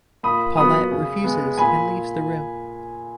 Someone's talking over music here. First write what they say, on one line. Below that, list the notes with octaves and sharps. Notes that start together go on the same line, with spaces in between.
Paulette refuses and leaves the room.
A#2 B5 D#6
F#3 B3 B5 D#6
C#3
G#3 B3
A#2 G#5 B5